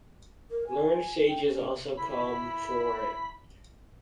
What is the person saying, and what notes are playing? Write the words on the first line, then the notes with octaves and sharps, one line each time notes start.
Learned sages also come for it.
A#4
G#5
G5
C#4
E4 B5